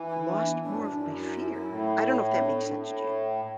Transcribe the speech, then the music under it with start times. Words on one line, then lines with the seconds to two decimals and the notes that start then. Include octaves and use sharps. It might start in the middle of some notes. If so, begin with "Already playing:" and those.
lost more of my fear, I don't know if that makes sense to you.
Already playing: E3
0.09 E4
0.27 D4
0.44 B3
0.62 A2 D4
0.74 F#2
0.98 F#2 E4
1.34 E4
1.52 E4
1.70 A2
2.31 B3
2.41 D4
2.77 A2